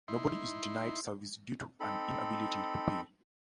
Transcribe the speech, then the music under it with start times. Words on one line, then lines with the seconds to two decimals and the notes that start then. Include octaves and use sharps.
Nobody is denied service due to an inability to pay.
0.08 D#4 E4 C6
1.80 C4 D#4 A4 B5